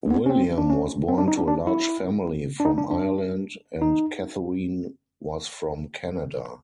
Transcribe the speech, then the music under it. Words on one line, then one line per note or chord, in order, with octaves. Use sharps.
William was born to a large family from Ireland and Katherine was from Canada.
B3
C#4
C4
D4
C#4
C4
D4
D#4
D4
D4
E4
D4
D#4
D4
D4
D#4